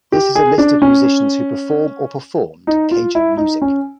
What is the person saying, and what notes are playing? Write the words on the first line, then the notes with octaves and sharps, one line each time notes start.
This is a list of musicians who perform or performed Cajun music.
G4
G#4
D4
C#4
D#4
F4
E4
D#4
C#4